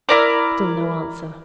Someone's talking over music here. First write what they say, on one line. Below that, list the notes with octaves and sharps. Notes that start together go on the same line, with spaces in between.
Still no answer.
E4 A#4 D5